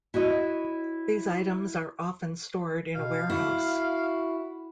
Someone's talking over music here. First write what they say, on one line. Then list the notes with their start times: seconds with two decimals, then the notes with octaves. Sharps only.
These items are often stored in a warehouse.
0.14 E4 F#4 C#5 D#5
2.95 B2 F5
3.30 E4 F#4